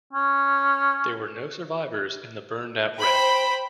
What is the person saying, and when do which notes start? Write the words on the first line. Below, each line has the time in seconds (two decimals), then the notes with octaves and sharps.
There were no survivors in the burned out wreck.
0.13 C#4
3.00 C5 G5 B5